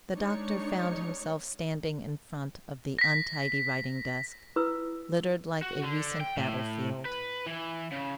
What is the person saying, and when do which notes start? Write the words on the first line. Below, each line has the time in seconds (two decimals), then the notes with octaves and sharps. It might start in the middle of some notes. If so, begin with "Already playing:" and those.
The doctor found himself standing in front of the untidy writing desk, littered like a recent battlefield.
0.14 G#3 D4 D#4 C#5 C#7
2.99 A#6 B6
4.56 E4 F4 B4 D#6 E6
5.62 F#4
5.83 D3
6.21 G5
6.37 A2
7.05 B4
7.46 E3
7.92 C#3